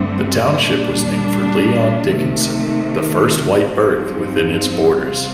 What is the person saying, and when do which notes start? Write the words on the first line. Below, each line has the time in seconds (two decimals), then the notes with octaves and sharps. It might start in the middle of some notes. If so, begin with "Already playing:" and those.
The township was named for Leon Dickinson, the first white birth within its borders.
Already playing: G2 D3 A3 C4
0.62 A#2 G3 D4
2.08 C3 D#3 A3
3.53 G2 F3 C4 D#4
4.99 C3 G3 C4 F4